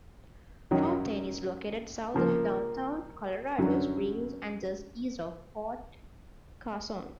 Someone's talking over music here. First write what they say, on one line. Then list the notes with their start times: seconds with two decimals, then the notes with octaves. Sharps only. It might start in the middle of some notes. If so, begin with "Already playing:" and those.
Fountain is located south of downtown Colorado Springs and just east of Fort Carson.
0.71 F#2 D#3 F#3
2.14 C#3 F3 A#3
3.58 F#2 D3 F#3